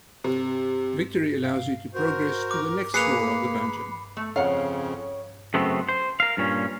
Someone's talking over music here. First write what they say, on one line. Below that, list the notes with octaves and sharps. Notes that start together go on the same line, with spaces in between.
Victory allows you to progress to the next floor of the dungeon.
C3
F5
F#4 A#4 C5
D6
A#3 G#4 B4 B5 C7 C#7 F7
A3
F2 C#3 C#5 F5 F#5
F#2 C#3 A3 B3 C4
C5
A#4 F5
G2 A#2 C#4